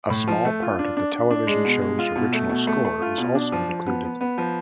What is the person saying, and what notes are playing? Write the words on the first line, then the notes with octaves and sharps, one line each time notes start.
A small part of the television show's original score is also included.
A2
F3
A3
F4
D4
D4
D4
D4
G#3
B2
G#3
F4
B2
A3
B2
A3
A3
F4
B2
D4
F3
F3
B3
B3
B3
F3